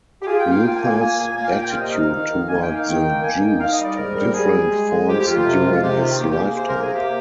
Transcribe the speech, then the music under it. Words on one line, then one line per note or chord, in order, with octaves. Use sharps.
Luther's attitude toward the Jews took different forms during his lifetime.
G4
F4 G#4
G5
A#3
F5
F4 G5
G#5
A#3
G#5
A#3 G#5
A#2 G#5
A#3 G#5
F5
G5
A#2
G5
C3 F5
D#5
D#4 F5
D#3
D#3
A#3 G#5
G5
D#4
F5
D#3 G5
A#3
A#3 G#5
D#4 G5
D#4 F5
D#5
G3
D5
G#2 A#4
G3 A#4
G3 G#4
G3
G#3
G#3
F2 G4
G4
F2 F4
C3
G#3
F4
C3 G4
D#3 F4
A#3 G4
G4
A#3 G#4
C3 C5
A#4
A#3
G#4
C3 G4